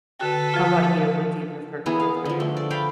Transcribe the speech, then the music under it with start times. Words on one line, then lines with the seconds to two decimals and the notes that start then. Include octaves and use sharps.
How about you? Would you prefer cold or hot?
0.19 D3 F#4 A4 B4 G5
0.54 F3 F4
1.86 E3 B3 G#4 A#5
2.00 F5
2.25 D3 F3
2.40 A3
2.57 D5
2.71 F5 G5 B5